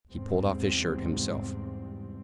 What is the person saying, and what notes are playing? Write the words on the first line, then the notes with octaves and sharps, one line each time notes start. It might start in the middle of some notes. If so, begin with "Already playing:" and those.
He pulled off his shirt, himself.
E2 G#2 C3 G3 C4